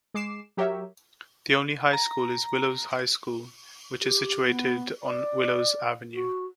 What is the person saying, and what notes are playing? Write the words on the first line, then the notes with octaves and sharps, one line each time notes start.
The only high school is Willows High School which is situated on Willows avenue.
G#3 D6 C7 E7
F#3 G4 A#4 C#5 E5
A#5
G4
B3
D5
F#4